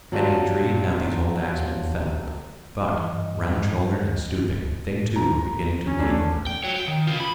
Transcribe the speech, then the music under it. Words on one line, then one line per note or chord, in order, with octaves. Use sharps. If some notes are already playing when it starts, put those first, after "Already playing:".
Many a tree have these old axemen felled, but, round-shouldered and stooping, they too are beginning to lean over.
F#3 D4 F4 G4
G2 E3 D#5
A#5
C#4
A3 D4
G5
F#4 C#5
G5
D#3
C#3 F4
B5